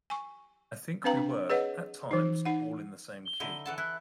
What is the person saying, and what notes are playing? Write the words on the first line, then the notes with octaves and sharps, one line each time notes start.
I think we were, at times, all in the same key.
G#5 C#6
C4 D4 B4 F5 G5 A#5
D4
G#4 B4 C#5 D#5 F#5
E3 D#4
D#4 F#5
G7
D3 D#4 E4
E3 A4 F#5 A5
E4 F#6